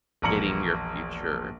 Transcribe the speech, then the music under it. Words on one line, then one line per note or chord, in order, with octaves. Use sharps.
getting your future
E1 A#1 A#2 A#5 C#7 F#7